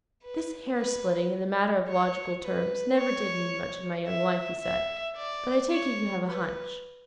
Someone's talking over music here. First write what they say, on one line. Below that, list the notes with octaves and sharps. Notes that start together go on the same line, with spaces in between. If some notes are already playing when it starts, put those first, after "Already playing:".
"This hair-splitting in the matter of logical terms never did mean much in my young life," he said, "but I take it you have a hunch."
B4
B4
C#5
B4
C#5
E5
E5
D5
C#5
B4